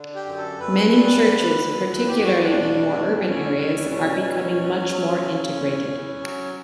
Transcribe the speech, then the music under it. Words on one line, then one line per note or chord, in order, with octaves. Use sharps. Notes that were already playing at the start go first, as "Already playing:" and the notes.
Many churches, particularly in more urban areas, are becoming much more integrated.
Already playing: D3
G4
F#2
A4
F#2 B4
G3
D3
F#2
E2 B4
G4
G3 F#4
D4
B2
E2
E2 C#4
G3
B2 C#4
E2
E2
F#3
C#3
E2
E2
F#3